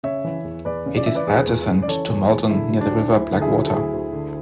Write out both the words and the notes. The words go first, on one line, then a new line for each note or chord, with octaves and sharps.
It is adjacent to Maldon, near the River Blackwater.
C#3 C#5 E5
E3
E2
E2 B4 D5
C#3
D5
E3 E5
B4 D5
E2 G#4 B4
E2
C#3
D5
E3 A4 C#5
E2
E2
D3 E4
F#3
D4
D2
D2 E4
D3
E4 G#4
F#3
A4
D2 E4 G#4
D2
D3